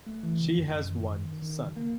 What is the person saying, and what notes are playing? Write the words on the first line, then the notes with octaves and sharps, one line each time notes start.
She has one son.
A3
E3
C#3
F#2
F#2
D#3
D#3
D#3
D#3
C#3
A#3